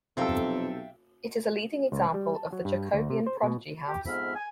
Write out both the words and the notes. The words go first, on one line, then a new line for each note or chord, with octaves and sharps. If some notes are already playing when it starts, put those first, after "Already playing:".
It is a leading example of the Jacobean prodigy house.
B1 F2 C3 A4 E5 F5 G5
C#2
G3
A5
F#3
G2
D2
C3
C5
B2
G4
F2 G#2 B3 E5 B5 F6
G#5